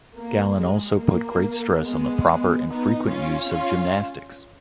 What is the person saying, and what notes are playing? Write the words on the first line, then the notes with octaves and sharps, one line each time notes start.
Galen also put great stress on the proper and frequent use of gymnastics.
A#3
G#3
A#3
G#3 B3
B3 D#4
C#4 F4
C#4 F4